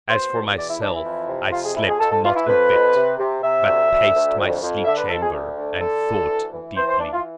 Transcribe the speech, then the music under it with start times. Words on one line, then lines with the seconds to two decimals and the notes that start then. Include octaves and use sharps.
As for myself, I slept not a bit, but paced my sleep-chamber and thought deeply.
0.09 B2 C5
0.32 E2
0.56 E3 D5
0.68 E4
0.80 E3 D4
0.93 E4
1.04 F2
1.27 C3
1.51 F2 F4
1.64 G#4
1.75 F2 E4
1.88 G#4
1.99 F2 A4
2.11 A4
2.23 E3 F4
2.35 E4
2.47 F2 B4
2.70 F2
2.94 C3
3.18 C3
3.42 C3 E5
3.66 D2
3.90 D2
4.14 D2
4.38 F2
4.61 F2
4.84 D3 E5
4.98 B4
5.08 F2 A4
5.21 G#4
5.32 D2
5.56 D3
5.80 D3 A4
6.05 D2
6.28 E3
6.52 E3
6.75 E3 C5
6.87 C5
6.99 E3 D4
7.12 F4